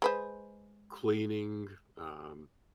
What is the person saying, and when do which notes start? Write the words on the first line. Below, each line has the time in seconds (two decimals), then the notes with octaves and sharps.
cleaning, um
0.02 G#3 B4 C5